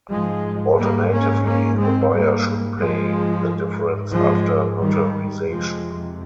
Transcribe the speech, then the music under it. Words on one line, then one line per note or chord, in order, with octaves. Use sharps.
Alternatively, the buyer should pay the difference after notarization.
G#2 F3 G#3
G3 A#3
A#3 C#4
A#3 C#4
G#3 C4
G3 A#3
G#2 F3 G#3
F3 G#3
D#3 G3
F2 C3 F3 G#3